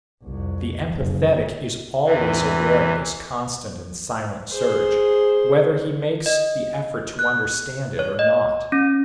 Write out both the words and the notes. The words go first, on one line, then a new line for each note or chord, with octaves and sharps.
The empathetic is always aware of this constant and silent surge, whether he makes the effort to understand it or not.
C2 F2
F#1
E2 C3 E3
G#4 C5
D#5
F#6
C#5
D#5
C#4